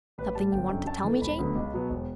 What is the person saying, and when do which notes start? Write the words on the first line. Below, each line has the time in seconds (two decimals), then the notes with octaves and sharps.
Something you wanted to tell me, Jane?'
0.18 A1 B4
0.35 A2 G3 A5
0.52 G1 G5
0.69 F#2 D3
0.87 F#2 A5
1.04 E3 A3
1.21 E1 B5
1.38 D2 D3 F#3 B3
1.55 C#2
1.73 B2 F#3 B3
1.90 E1